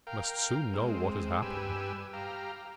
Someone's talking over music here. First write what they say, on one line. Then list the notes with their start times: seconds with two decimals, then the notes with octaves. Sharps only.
He must soon know what has happened.
0.07 A#4 F5 G5
0.74 G#3 C4
1.42 G2 G4 B4 G#5 E6
2.13 G4 F5 A#5